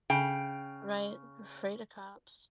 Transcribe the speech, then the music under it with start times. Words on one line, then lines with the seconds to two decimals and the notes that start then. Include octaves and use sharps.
Right, afraid of cops.
0.10 C#3 G5